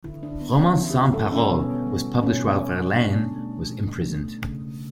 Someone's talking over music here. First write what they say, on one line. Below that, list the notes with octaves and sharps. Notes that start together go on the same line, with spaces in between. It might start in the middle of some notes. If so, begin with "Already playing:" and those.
"Romances sans paroles" was published while Verlaine was imprisoned.
D3 E4
D4
G3 B3
C#4
D3 E4
G4
F#4
G3 A4
C#4
B2 B3
G3
B2 C#4
G3
B2 D4
A3
B2
A3
C#3